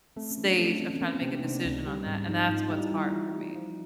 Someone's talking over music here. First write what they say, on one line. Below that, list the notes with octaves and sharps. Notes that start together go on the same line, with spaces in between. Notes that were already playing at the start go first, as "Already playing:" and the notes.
stage of trying to make a decision on that, and that's what's hard for me.
A3 C4
C#4
E3
D4
A3 D4
D4
A3 C4
C#4
B3
A#3 C4
B3
C3
D4
D#4
C3 D4
C#2
G3
G#2
G#2 D#4
F4
G#2 D#4
D#4
G3 E4
E4
G3 E4
E4
E3 F4
G3
F3